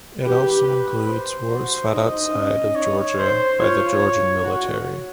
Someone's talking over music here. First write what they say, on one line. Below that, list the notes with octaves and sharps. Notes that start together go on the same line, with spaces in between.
It also includes wars fought outside of Georgia by Georgian military.
G4 B4
C5
F#4
D#4 D#5
C#4
D#4 C#5
C5
F4 C#5
F#4